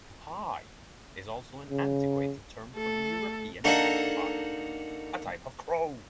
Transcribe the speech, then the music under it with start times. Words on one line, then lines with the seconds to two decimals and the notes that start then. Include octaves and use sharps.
"Pie" is also an antiquated term for the European magpie, a type of crow.
1.70 C#3
2.75 A3 A4
3.64 A#3 D4 D#4 F#4 A4